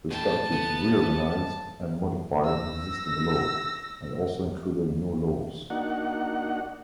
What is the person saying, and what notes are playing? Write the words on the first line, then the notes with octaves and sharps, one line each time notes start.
The statute re-organized and modified existing law, and also included new laws.
A#2 A3 D4 B4 G5 A5
A3 B3
E6 A#6
A#3 D4 D#4 F#4 F#5